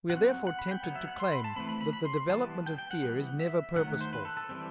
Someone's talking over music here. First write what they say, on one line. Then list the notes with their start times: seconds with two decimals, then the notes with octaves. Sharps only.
We are therefore tempted to claim that the development of fear is never purposeful.
0.10 F#3 C4 F#5
0.47 F#5
0.59 B5
0.71 G5
0.83 F#3 B3 F#5
0.95 E5
1.08 F#5
1.20 C6
1.32 B5
1.44 A5
1.56 E3 A3 C4 B5
1.69 B5
1.81 B5
1.93 B5
2.05 C6
2.29 E3 G3 B3 A5
2.66 G5
2.78 G5
2.91 F#5
3.03 E3 G3 B3
3.39 E5
3.76 D#3 F#3 A3 F#5
4.01 C5
4.13 B4
4.25 A4
4.37 A4
4.49 E3 G3 C4